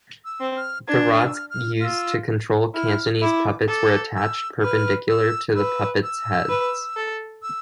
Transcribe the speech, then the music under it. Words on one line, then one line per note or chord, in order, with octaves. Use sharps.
The rods used to control Cantonese puppets were attached perpendicular to the puppets' heads.
E6
C4
F6
D4 G#6
F6
E6
F6
F6
F4 E6 F6
E4 F6
E4 D6
A4 D6
E6
B4 F6
E6
B4 E6
E6
B4
A4
E6